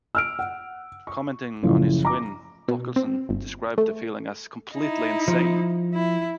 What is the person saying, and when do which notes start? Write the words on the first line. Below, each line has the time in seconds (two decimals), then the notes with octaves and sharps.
Commenting on his win, Thorkildsen described the feeling as "completely insane".
0.15 E6 F6 D7
0.39 F#5
1.07 C#6
1.63 F#1 A2 F3
2.05 A#5 D6
2.68 B2
2.96 C4
3.29 G1
3.78 A3
4.75 D#4 E4
5.28 F3
5.94 E4